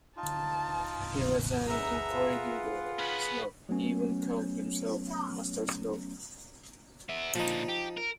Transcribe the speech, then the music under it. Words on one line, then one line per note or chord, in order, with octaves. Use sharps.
He was an incorrigible snob; he even called himself Master Snob.
D#4 F4 A5
D#4 G#4 B4 E5 F#5 A#5
F4
B3 C#4 B5
F#3 A3 B3 C#4
B3 E5
A#2 D3 F3 D#4
G4
A#4